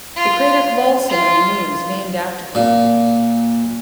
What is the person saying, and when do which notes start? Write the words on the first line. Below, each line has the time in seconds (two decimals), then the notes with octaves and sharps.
The crater Khvolson on the Moon is named after him.
0.16 F4
1.09 F4
2.55 A#2